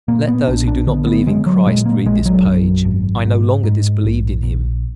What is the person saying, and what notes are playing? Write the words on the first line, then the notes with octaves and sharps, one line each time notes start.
Let those who do not believe in Christ read this page; I no longer disbelieved in him.
A#2 A#3
B3
A#1 D4
D4
D3 B3
B3
D3 G#3
F#3
A#2 G#3
A#3
A#1 G#3
F#3
F#2
G#1
G#2
G#2
A#1
A#1